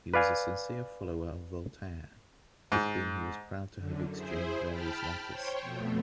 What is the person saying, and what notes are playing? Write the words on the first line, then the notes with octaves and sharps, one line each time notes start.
He was a sincere follower of Voltaire, with whom he was proud to have exchanged various letters.
B4 D5 F5 G#5
G#2
F#2 D3
E4 G#4 C5
G5 A5 B5 F6
C5 C#5 G5
F2 B2 A3